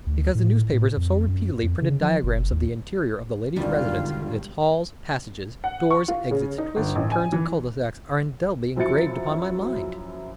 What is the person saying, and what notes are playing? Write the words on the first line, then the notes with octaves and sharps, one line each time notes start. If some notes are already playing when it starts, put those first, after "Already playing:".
Because the newspapers have so repeatedly printed diagrams of the interior of the lady's residence that its halls, passages, doorways, exits, twists, turns, and culs-de-sac are indelibly engraved upon my mind.
D2
A2
A2
F2
F#2
F2
C#3
F3
F#1
D#2
E1 G2 D3 D#3 G3 F4
F#5
C#6
F4
C#3
D#4
G1
A1
G#5
E3
F#2 F3 F#3 E4 A6 C#7